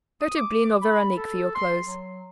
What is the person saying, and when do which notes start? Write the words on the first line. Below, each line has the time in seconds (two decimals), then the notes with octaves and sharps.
Go to Blin or Veronique for your clothes.
0.21 D#6
0.36 D6
0.82 B5
1.17 A4
1.55 C6
1.85 F#3